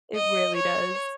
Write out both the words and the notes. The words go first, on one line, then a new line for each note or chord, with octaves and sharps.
It really does.
D#5
C#5